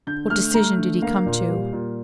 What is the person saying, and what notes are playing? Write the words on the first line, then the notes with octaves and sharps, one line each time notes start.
What decision did he come to?
D3 G6
A3 F6
A3 A#5
D3
A#3 F5
A#2
G3
A#2